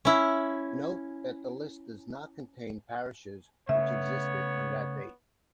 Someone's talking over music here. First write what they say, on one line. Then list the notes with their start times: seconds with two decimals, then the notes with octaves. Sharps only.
Note that the list does not contain parishes which existed on that date.
0.05 C#4 E4
3.69 C#3 A3 B3 C#5 E5